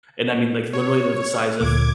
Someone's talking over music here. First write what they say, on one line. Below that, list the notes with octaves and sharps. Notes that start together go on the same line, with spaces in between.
and I mean, like, literally they're the size of
C#5
D2 A#2 D6 G#6